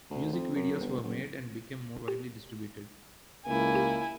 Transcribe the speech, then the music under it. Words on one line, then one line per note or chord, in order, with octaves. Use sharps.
Music videos were made and became more widely distributed.
D2
F2
F#2
G1
F#1
C#2 A#3 E4 G#5